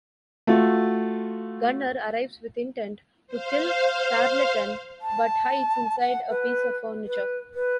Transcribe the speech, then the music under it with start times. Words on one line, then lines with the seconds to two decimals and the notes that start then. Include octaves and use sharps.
Gunner arrives with intent to kill Tarleton but hides inside a piece of furniture.
0.47 A3 F4 F#4
3.27 C5 F5
5.01 A5
6.00 F#5
6.30 B4
7.06 B4
7.54 B4